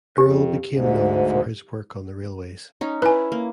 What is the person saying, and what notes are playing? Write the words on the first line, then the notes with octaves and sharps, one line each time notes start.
Earle became known for his work on the railways.
F2 G4
D2 G#2
C#4 D#4
E4 B4 G#5
A#3